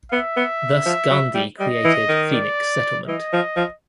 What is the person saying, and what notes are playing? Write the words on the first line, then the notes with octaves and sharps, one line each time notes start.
Thus Gandhi created "Phoenix Settlement".
B3 E5
B3
F3
F#3
G3
G3 D#5
E3
D#3
D5
E3 D#5
F3
F3